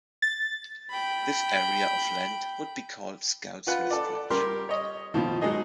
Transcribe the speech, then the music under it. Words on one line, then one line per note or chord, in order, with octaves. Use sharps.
This area of land would be called "Scout's Rest Ranch".
A6
G5 B5
F4 B4 F#5
A4 D5
G3 G4 A#4 C6
C#5 D#5
B2 D#3 F3
F#3 G#3 D#4 G#4 D#5